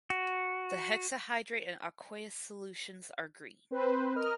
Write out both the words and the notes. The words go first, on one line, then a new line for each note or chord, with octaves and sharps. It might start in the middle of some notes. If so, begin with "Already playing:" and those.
The hexahydrate and aqueous solutions are green.
F#4
C4 B4 C5
A#4 D#5 F6